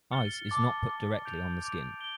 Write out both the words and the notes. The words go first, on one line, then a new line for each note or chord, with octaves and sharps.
Ice is not put directly on the skin.
F6 A6 C#7 G7
A5 D6 A6
A5 D6 A6
D6 G6 D7 F7
D6 G6 D7 F7
G6 D7 G7